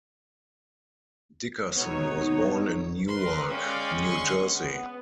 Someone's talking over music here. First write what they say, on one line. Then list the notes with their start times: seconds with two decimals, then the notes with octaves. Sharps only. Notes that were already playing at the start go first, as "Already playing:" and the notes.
Dickerson was born in Newark, New Jersey.
1.76 B2 G#3 B3 D#4 C#5
3.08 A#4 B4 C6
3.49 G#3 C#4 D5 F5 G5
3.99 D3 C6 C#6
4.37 B3